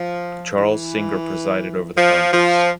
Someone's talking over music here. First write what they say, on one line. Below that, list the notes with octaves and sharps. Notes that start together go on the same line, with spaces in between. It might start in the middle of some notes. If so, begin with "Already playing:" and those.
Charles Singer presided over the congress.
Already playing: F3
E3
F3
F3